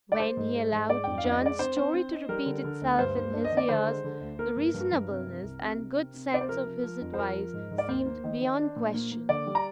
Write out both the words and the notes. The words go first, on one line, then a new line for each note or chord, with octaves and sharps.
When he allowed John's story to repeat itself in his ears, the reasonableness and good sense of his advice seemed beyond question.
D5
G#3 C5
G#2
G#3
G#2
G#3 D5
F2 G5
F5
F2
D#5
G#3 D5
C4 C5
C4
C4
D#4
G3 A#4
D3
D3
D2
G2 C5
A#3
D4
D#5
D#3
D5
D3 C5
G#3
D3
D2
A#3 A#4
G2
G2
G2
C3
C3
C2
C3
C3
C4
C3
C3 D5
C5
F3 A#4
F3
F3
F2
C5
F3 A#4
F3
G#2
G#2
D5
D#2 C5
A#3
D#3
D#3
D4
A#2
A#3
A#3
D3 D5
G3
A#5